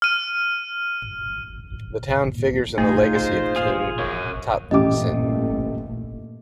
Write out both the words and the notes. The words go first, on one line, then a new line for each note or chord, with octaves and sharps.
The town figures in the legacy of King Taksin.
F6 D#7
A3 D#4 F4 G#4
C5
G#4 F5
A#4 C#5
A1 G2 A#2 A3 G4 D#5 D6